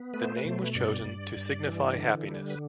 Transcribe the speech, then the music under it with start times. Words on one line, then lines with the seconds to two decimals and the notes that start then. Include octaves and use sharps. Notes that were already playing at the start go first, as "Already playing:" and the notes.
The name was chosen to signify happiness.
Already playing: B3
0.13 A3 B4
0.25 C5
0.37 B4
0.45 B2 C5
0.58 B4
0.75 G2 D5
1.05 G2
1.36 G2
1.67 E3
1.98 D3
2.28 G3
2.50 B4